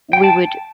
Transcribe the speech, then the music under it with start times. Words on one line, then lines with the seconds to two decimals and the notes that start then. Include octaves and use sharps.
we would
0.13 G5
0.24 A5